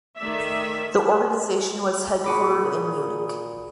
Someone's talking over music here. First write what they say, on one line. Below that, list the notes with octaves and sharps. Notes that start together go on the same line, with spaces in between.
The organisation was headquartered in Munich.
D#3 A3 D5 E5
A#2 F#4 G#4 B5 D6 B6 D#7